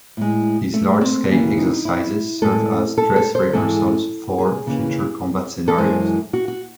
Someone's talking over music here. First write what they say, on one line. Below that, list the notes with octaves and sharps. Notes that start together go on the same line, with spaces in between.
These large-scale exercises serve as "dress rehearsals" for future combat scenarios.
A2 G#3
A3
C4
D#2 C#3 E3 C#4
D#4
E4
A2 G#3 A4
A4
A4
C5
G#2 E3 G#3 A4
G#4
D#2 C#3 E3
A4
F#2 E3 G#3 C5
F#4
F#4